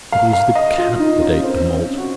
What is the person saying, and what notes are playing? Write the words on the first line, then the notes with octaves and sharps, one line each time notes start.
It was the cat that ate the malt.
F5
F5
D#5
F4
D#4
C#4
C4
C#4
F#4